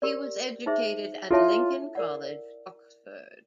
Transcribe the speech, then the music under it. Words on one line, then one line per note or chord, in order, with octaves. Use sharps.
He was educated at Lincoln College, Oxford.
G4 A#4 D5
D#4 G#4 C5 E5
E4 F4 A4 C#5 E5 A5
A#4 D5 F#5